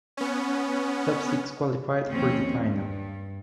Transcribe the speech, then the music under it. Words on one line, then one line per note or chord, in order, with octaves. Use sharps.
Top six qualified for the final.
B3 C#4
D#2 F3 C4 C#4
G2